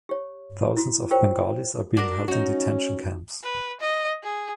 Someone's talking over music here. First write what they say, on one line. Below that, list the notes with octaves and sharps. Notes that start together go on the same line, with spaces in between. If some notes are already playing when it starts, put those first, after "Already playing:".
Thousands of Bengalis are being held in Detention Camps.
G4 C#5
E4 F#4
F4 G4 A#4 C5 C#5 G5
D4 F#4 A#4
C#4 D#4 F#4
B4
D#5
G#4